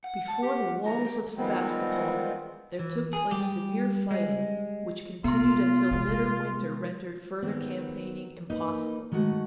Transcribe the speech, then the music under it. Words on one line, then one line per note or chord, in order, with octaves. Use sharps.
Before the walls of Sebastopol there took place severe fighting, which continued until bitter winter rendered further campaigning impossible.
F#5
A5
G4
D#3 F#3 A#5
G4
D#3 F3 G3 G#3 B3 C4
E3
G#4
G3 G4
G#3
C3 B3 F4 C6
C3 G#3
D#3 B3 C4
A#3 D#4 A#4 B4
D#3 G#3 A3 F#4